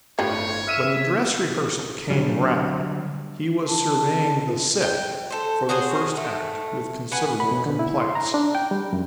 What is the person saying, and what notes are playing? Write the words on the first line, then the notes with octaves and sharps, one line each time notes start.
When the dress rehearsal came round, he was surveying the "set" for the first act with considerable complacence.
G1 A2 F3 G3 F4 C#5
E5 F6 D#7 E7
D3 F#3 G3
A5
F4
G5
A4 C5
F#4 G#4 C5 C#5
A3
B4 F#5 G#5
B5
B2
D3
E4
C6
A#5
D4
G5
G3
F#2